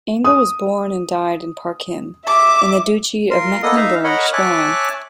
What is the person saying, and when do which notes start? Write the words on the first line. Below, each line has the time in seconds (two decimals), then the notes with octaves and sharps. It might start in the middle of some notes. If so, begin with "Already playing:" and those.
Engel was born and died in Parchim, in the Duchy of Mecklenburg-Schwerin.
0.25 D#6
2.27 E5 D6
3.31 F4 A#4 C6
3.63 A#3 B3 A4 D#5 D#6
3.77 D#4 E5 F5 A#5
4.04 A#4 C#5 D#5 F#5 B5
4.33 C#5 E5 G#5 A5 D6 F#6